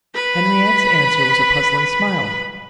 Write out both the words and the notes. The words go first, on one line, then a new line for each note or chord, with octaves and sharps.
Henriette's answer was a puzzling smile.
B4 B5